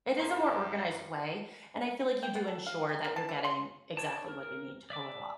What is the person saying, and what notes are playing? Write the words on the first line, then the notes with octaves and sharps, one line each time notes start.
It is a more organized way, and I feel like you do ensure that you're getting exactly what you need to pull it off.
F#2 E4 A#5
G5
B3
A4
F5
G5
A#4
A5
E3
C6
C#5 D5 A5
A#4
D5 E5 D6